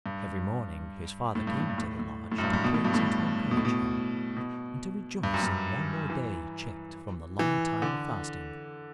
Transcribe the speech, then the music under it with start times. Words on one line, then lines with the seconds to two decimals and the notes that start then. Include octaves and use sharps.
Every morning his father came to the lodge to praise and to encourage him, and to rejoice in one more day checked from the long time of fasting.
0.06 G2
1.35 A2
1.47 G2
1.60 A2
1.70 G2
1.78 A2
1.99 A2
2.32 A2
2.38 F#2
2.43 G2
2.53 G2
2.64 B2
2.74 A2
2.85 G2
2.94 A2
3.51 B2
3.57 A2
3.65 B2
4.36 B2
5.23 G2
5.34 F#2
5.43 G2
6.10 E3
7.39 E3
7.82 D3